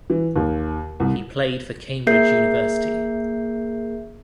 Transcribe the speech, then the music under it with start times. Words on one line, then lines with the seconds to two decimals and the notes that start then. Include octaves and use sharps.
He played for Cambridge University.
0.10 E3
0.36 D#2
1.00 C2
2.07 A#3 G#4 A#4 E5 G6 C7